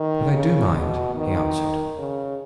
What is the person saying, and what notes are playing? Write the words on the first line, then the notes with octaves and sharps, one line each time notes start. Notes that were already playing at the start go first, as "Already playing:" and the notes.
"But I do mind," he answered.
Already playing: D#3
C#3
B2
D#3
C#3